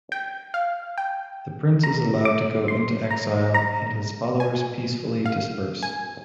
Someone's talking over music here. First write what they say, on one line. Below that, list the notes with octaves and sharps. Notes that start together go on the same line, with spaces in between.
The Prince is allowed to go into exile, and his followers peacefully disperse.
G5
F5
G5
A#5
D6
C6
A#5
A#5
G#5
F5
G#5